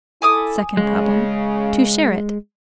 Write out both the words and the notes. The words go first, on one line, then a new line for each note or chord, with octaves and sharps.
Second problem: To share it.
E4 A4 G#5 D6 D#6
C#3 G#3